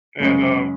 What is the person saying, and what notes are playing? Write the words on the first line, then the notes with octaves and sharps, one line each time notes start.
and, uh,
F#2 C#3 G#3 C#4